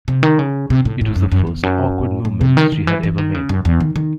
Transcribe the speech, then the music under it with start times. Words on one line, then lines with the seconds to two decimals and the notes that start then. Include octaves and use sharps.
It was the first awkward movement she had ever made.
0.08 C3
0.23 D#3
0.39 C#3
0.70 C3
0.85 A2
1.01 A2
1.16 F#2
1.32 F#2
1.47 E2
1.63 F#2
2.25 A2
2.41 C3
2.57 D#3
2.72 D#3
2.87 E3
3.03 E3
3.18 D#3
3.34 C#3
3.49 F#2
3.65 E2
3.80 D#3
3.96 D#3